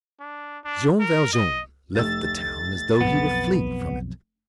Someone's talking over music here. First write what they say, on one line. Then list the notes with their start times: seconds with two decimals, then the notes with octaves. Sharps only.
Jean Valjean left the town as though he were fleeing from it.
0.20 D4
0.64 D4
0.99 A#4
1.33 D#5
1.95 F1 A3 E6 A6
3.01 B1 F2 B3